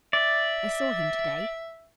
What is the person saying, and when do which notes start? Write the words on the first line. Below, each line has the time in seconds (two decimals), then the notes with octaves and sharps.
"I saw him to-day."
0.13 D5 E5